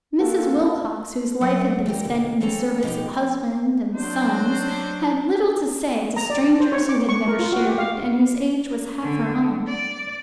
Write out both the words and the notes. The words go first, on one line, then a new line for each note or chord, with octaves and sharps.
Mrs. Wilcox, whose life had been spent in the service of husband and sons, had little to say to strangers who had never shared it, and whose age was half her own.
A#3 C4 F4 F#4 A4
F#3 A#3 C#4 D5 E5 F#5
E2 E3 G4 A#4
B2 D3
E3 C4 C#4 A4 A#5
B2 F3 D#4 G4
F#3 D4 C5
A#5
D5
D4
C5
C#5
D6
C#6
A#4
F4
F#4
G4
F5
D3
D5